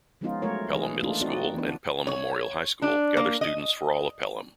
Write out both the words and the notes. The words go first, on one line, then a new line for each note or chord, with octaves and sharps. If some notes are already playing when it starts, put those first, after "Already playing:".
Pelham Middle School and Pelham Memorial High School gather students for all of Pelham.
F3 G#3 B3 C#4 D#4 F4
F#3 G#3 A3 F4 A#4 C#5
E3 D#4 G#4 B4
A3 A#3 D4 D#4 F4
C4 D#4 F#4 D5
E3 B3 D4
C#5
D4
A#3
D#5